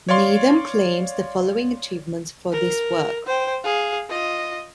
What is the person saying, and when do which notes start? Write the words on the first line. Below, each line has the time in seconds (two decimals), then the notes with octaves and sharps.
Needham claims the following achievements for this work.
0.09 C#5 D5 F5 C6
2.52 A#4
3.26 C5 G5
3.64 G#4 F5
4.10 F4 D#5